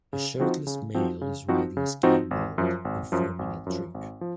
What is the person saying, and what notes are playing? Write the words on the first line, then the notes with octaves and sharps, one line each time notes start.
A shirtless male is riding a skateboard, performing a trick.
C#3
F3 C4 D#4 F#4
C#3
F3 C4 D#4 F#4
C#3
F3 C4 D#4 F#4
C#3
F3 C4 D#4 F#4
G#1
F#2 F3
G#1
F#2 F3
G#1
F#2 F3
G#1
F3